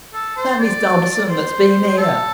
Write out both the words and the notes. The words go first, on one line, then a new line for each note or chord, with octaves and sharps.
"That Miss Dobson that's been here."
A4
C5
D5
C5
A4